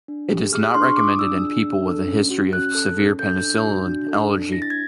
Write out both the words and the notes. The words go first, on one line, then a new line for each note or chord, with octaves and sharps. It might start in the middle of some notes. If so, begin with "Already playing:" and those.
It is not recommended in people with a history of a severe penicillin allergy.
D4
G4
G#4 F6
D4 C6
C#6
F4 D6
D#6
D4 E6
G#4
D4
A4
C#4
F#4
C#4 F#6
A4
C#4
A4 G6
D4
F#4
D4
A4
D4
E4 A#6
A6
G#6